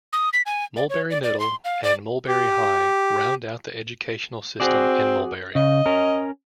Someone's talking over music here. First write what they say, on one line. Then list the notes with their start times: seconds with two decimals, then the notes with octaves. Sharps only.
Mulberry Middle and Mulberry High round out the educational system in Mulberry.
0.13 D#6
0.33 B6
0.46 G#5
0.76 D5
0.89 C#5
1.10 D5
1.23 D5
1.40 C6
1.65 F5
1.84 D5
2.27 G4
4.60 C4 F#4 G#4 D5
5.55 C#3 D#5
5.86 C#4 A#4